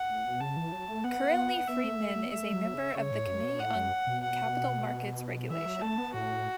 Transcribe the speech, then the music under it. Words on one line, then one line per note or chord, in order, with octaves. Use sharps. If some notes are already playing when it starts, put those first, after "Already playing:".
Currently Friedman is a member of the Committee on Capital Markets Regulation.
Already playing: F#5
A2
B2
C#3 A5
E3
F#3
A3
B3 F#5
B3 E5
A3
A3
A3
B3
A3 E5
F#3
C#3
C#3 C#5
A2
F#2
B2
A2 F#5
F#2
B2
F#5
E3 E5
F#3
A3 A5
B3
A2 F#4